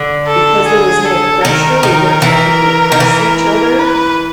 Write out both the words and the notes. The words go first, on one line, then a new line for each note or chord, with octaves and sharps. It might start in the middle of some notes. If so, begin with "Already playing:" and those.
because there was no pressure, we weren't trying to impress each other,
Already playing: D3
A4
G#4
A4
D#3 A#4
D#3
E3
D#3
E3
B4